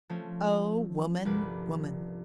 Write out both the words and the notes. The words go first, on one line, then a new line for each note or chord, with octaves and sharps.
O Woman, Woman!
F3 A3 C4 C#4
G1 C2 F3 A#3 B4 D6